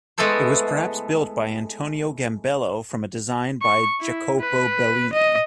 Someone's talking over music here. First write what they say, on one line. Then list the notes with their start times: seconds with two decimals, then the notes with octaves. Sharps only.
It was perhaps built by Antonio Gambello from a design by Jacopo Bellini.
0.18 G#3 A3 B3 E4 A4 C5
3.62 C#6
4.01 E4
4.40 B4
5.13 D#5